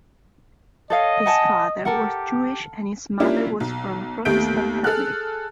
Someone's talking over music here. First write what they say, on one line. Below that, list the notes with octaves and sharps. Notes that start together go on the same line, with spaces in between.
His father was Jewish and his mother was from a Protestant family.
A4 C#5 D#5 F5
F#5 G#5 A5
G4 A4 A#4 F#5
A#3 C#4 D4 E4 F4 G4
B1
D#2 A3 B3 G4 G6 D7
G#4 A4 F6 F#6